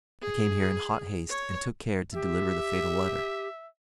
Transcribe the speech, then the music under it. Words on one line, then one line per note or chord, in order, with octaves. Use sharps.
I came here in hot haste, and took care to deliver the fatal letter.
G#4
C#5
G4 E5